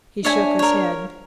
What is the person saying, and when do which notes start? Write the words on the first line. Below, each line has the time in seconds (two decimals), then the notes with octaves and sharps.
He shook his head.
0.25 D4 C#5 E5 G#5
0.59 A#4 C#5